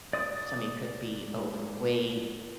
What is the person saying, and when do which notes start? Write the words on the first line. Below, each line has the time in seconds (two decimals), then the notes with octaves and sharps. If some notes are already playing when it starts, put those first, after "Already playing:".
Somebody could be overweight.
0.13 D5 D#6